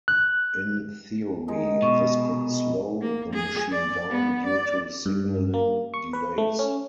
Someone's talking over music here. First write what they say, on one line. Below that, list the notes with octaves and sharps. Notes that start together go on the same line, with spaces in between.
In theory, this could slow the machine down due to signalling delays.
F#6
D#3 G#3 D#4
B2 C#6
A#3
G#4
D5
B3
D5
G2
A#3
C#6
B4
A3
C#4